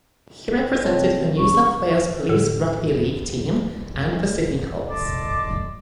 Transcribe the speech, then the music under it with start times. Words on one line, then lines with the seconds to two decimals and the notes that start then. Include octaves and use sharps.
He represented the New South Wales Police rugby league team and the Sydney Colts.
0.84 C3 F3 C4 C#5
1.38 C#3 C#6
2.29 A2 D3 A4
4.90 A4 D5 D#5 A5 C6 D6